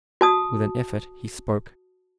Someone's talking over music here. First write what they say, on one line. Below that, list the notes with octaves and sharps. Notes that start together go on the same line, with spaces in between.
With an effort he spoke.
F#4 A5 D#6